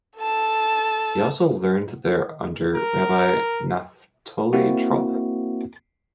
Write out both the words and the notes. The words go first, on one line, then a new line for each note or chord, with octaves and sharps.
He also learned there under Rabbi Naftoli Trop.
A4 A5
A#4
A#3 C4 E4 F#4